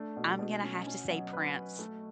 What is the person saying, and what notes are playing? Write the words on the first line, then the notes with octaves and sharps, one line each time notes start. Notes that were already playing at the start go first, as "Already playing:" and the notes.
I'm gonna have to say Prince.
Already playing: A3 D4
B2
B2
C#4
C#4
F#3
B4
F#4
A3